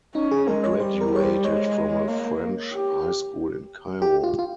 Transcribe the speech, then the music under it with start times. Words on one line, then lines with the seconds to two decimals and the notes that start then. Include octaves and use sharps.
He graduated from a French high school in Cairo.
0.15 C#4 D#4
0.31 G#4
0.48 G#3 A#4
0.64 C#5
0.80 G3 C5
1.01 A#4
1.11 G3 C#5
1.23 C5
1.44 G#3 C#5
2.08 A#3
2.73 G4
4.02 G4
4.24 F4
4.39 F4